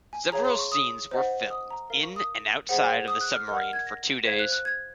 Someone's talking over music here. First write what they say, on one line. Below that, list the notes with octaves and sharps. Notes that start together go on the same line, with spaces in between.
Several scenes were filmed in and outside of the submarine for two days.
G#5
G#4 C#5 F5 A#5
C6
C#6
D#6
C5 D#5 F#5
D#6
A#5
A#4 F5
C#6
D#6
G#4 C5 F#5
D#6
F#6
F6
A#4 D#5 F#5 F6
F6
G#6
A#6
C5 F5 G#6
F#6
F#6
G#6